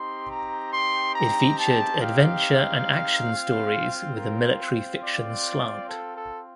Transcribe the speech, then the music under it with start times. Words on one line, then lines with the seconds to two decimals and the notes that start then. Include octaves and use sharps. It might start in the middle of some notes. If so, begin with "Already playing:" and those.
It featured adventure and action stories with a military fiction slant.
Already playing: C4 D#4 G4 C6
0.30 A#5
0.72 C6
1.15 A#5
1.59 A5
2.02 F5
3.31 C4 F4
4.17 A#4
4.60 C5
5.03 D5
5.88 A4
6.17 A4